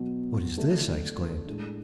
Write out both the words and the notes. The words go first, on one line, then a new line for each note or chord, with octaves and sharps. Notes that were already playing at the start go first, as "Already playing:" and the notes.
"What is this?" I exclaimed.
Already playing: B2 F#3 B3
D3 A3 D4
A2 G#3 D4